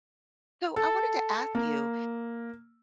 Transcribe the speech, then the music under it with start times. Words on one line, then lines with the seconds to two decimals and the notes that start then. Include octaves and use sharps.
So I wanted to ask you,
0.76 A4
1.55 A#3